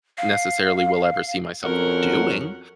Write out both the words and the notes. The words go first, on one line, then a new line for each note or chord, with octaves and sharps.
necessarily will ever see myself doing,
F5
F2 F#3 C#4 A#4 F#5